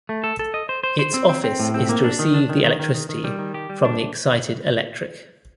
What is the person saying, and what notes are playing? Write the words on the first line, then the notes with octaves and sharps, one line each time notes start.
Its office is to receive the electricity from the excited electric.
A3
A4
A4
D#5
C5
C5
C5
C4
C4
C4
A2
C4
A#3
D4
D#3
D4
D#3
D#3
D#3
D#3
D#3
G3
D#3
G4
G3
D4